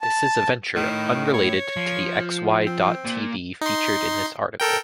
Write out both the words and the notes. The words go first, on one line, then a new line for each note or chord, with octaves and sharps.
This is a venture unrelated to the xy dot TV featured in this article.
A5
A2 D#3
C#5
F3
C4
A#2
D#4 C6
A4 A#4 G5